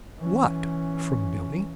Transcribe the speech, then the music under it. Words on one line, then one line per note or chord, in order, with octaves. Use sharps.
"What?" from Billie.
E3 C#4